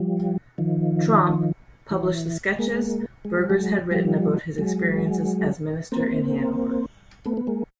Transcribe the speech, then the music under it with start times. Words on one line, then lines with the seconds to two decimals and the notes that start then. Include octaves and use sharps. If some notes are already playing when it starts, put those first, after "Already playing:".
Tromp, published the sketches Burgers had written about his experiences as minister in Hanover.
Already playing: F3 G3
0.58 D#3 F3
1.91 E3
2.59 G#3 A#3
3.25 G#3
3.38 G3
3.50 F#3 G#3
3.91 F3 G3
4.58 F#3 G#3
5.92 A#3 C4
7.25 A3 B3
7.37 B3
7.47 G#3 A#3